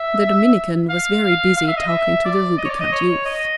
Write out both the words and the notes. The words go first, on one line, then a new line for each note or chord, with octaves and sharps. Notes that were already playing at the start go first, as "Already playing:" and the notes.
The Dominican was very busy talking to the rubicund youth.
Already playing: E5
F5
F5
F5
E5
D#5
E5
D5
D#5
C#5
D5
D#5
C#5
D#5